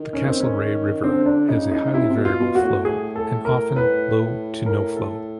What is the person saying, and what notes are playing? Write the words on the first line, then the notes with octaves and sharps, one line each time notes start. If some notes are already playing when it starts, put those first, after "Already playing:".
The Castlereagh River has a highly variable flow, and often, low to no flow.
Already playing: D#3
C#4
C4
C#4
D3 C4
D4
C#3 D#4
D#4
C3 E4
C#3
C3
B2
F4
B2
F#4
A2
G#4
A4
A#4
A2 B4
A#4
A4